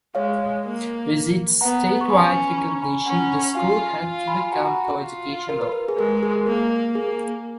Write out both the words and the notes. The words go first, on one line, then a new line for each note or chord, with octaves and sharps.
With its statewide recognition, the school had to become co-educational.
G#3 C#5 F5
A#3
B3 F#5 A#5
C#6
C#4 G#5 B5
B5
A#5 C#6
G#5 B5
C#4 F#5 A#5
F4 F5 G#5
F4
G#5 B5
F#4 F#5 A#5
F4
A#4
B4
A#4
G#4
G#3 A#4
G#4
A#3 A#4
A#3 G#4